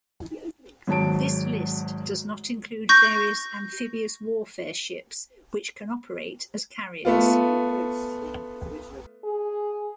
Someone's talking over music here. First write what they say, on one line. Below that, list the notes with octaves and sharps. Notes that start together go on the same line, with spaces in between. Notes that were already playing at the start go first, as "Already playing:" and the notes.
This list does not include various amphibious warfare ships which can operate as carriers.
G#1 G#2 F#3 A5 D7
C#6 G6 A#6
A3 B3 F4
G#4